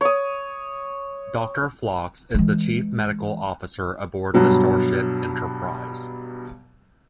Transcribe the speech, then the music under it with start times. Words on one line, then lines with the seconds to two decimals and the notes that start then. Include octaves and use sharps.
Doctor Phlox is the chief medical officer aboard the starship "Enterprise".
0.01 C#5 D#6
2.35 E3 G#3
4.34 G2 B2 F#3 G3